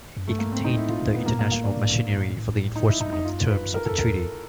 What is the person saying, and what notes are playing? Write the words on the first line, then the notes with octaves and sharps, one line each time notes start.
It contained the international machinery for the enforcement of the terms of the treaty.
F#2
G2 A3
A#3
G#2 C4
D#4
A#2
A2 E4
F4
A2
B3
A#2 A#3
A#3
A2 A#3
D4
A2
D#4
E4
G2 D#4
F2 D#4
F#2 F4
G2
F#2 B4
A#4
A4
F2
A#4
E2